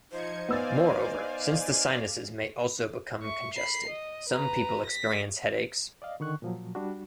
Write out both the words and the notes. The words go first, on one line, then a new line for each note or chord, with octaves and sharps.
Moreover, since the sinuses may also become congested, some people experience headaches.
F3 D#4 C5 G#6 C#7
B3 D5 F5 G#5 E6 A6
E5 C#6
B5 C7
D#5
B4 A#5
A#6 B6
D5 D#5 F5
D3 D#3 C#6 F#6
A#2 F3 F#3
G3 D4 F#4